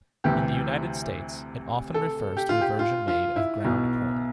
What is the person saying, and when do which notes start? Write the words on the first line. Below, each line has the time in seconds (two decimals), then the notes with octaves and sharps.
In the United States, it often refers to a version made of ground corn.
0.24 D2 C3 E3 G4
1.94 A4
2.37 G4
2.49 F4
2.61 G4
2.79 F4
3.08 F4
3.36 E4
3.64 B1 B2